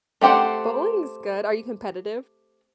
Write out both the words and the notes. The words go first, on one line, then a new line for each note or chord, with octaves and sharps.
bowling's good. Are you competitive?
A3 C4 G4 C5 F#5